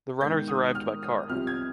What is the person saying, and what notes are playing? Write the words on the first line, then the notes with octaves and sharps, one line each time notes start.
The runners arrived by car.
G#2 D#3 B3 G6
D#6
F6
D#6
C2 C3 F3 C4 F6
G#6